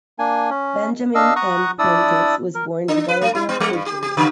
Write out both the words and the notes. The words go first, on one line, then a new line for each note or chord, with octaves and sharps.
Benjamin M. Prentiss was born in Belleville, Virginia.
A#3 D4 G#5
C#4
D4 D#5 F5 E6
F#5 A#5 C#6 D#6 F#6
D4 E4 D5 D#6 E6
A#4
D4
B4
A3
E4
B3
G3
G2
G4
G4
C#3